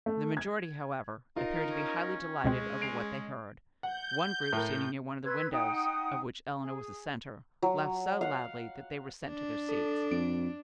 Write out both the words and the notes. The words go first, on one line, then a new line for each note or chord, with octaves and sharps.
The majority, however, appeared to be highly delighted over what they heard, one group standing near one of the windows, of which Eleanor was the center, laughed so loudly that they were sent to their seats.
A3
G#6
D#4 F4 A#4
C#4
C#2 B2 G#3 C4
C7 D7 F7
F#5 G6
A2 A#4
B4 C6 E6 G#6
D#4 F#5 G5 D#6
G#4
F#3
F5 F#5
D4
A4
F2 D7